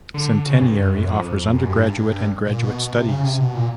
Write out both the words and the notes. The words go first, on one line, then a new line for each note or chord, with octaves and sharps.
Centenary offers undergraduate and graduate studies.
D3
C#3
G2
F#2
F2
F2
F#2
G2
G#2
G2
A#2
B2
C3
C#3
C3
B2
A#2